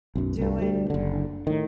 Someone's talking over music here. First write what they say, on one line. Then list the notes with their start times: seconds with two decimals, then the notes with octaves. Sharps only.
do it.
0.15 B1 F#2
0.38 C2 G2
0.58 D2 G3
0.90 F#1 D3
1.47 A2 D#3